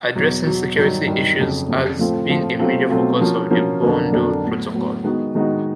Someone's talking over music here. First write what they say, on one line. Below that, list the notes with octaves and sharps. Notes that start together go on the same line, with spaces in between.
Addressing security issues has been a major focus of the bundle protocol.
E2 B2 F#3
E2 B2 F#3
G2 D#3 F#3
G2 D#3 F#3
F2 C#3 F#3
F2 C#3 F#3
A2 F3 A3 C4 F4
A2 F3 A3 C4 F4
B2 F#3 A3 C4 F4
B2 F#3 A3 C4 F4
F3 A#3 C#4 F#4
F3 A#3 C#4 F#4
F2 D3 F#3 A#3 D4
F2 D3 F#3 A#3 D4
A2 F#3 B3
A2 F#3 B3
D#3 G#3 B3 D#4 F#4
D#3 G#3 B3 D#4 F#4